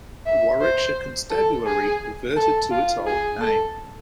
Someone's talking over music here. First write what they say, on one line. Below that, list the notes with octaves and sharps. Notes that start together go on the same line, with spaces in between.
Warwickshire Constabulary reverted to its old name.
E5
C5
A4
G#4
A4
F4
G#4
A4